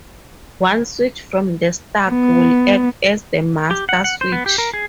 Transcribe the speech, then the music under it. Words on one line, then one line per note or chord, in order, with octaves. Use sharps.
One switch from the stack will act as the master switch.
B3
G4
F#5
F#5
C5
B3
G4
A#4
G#4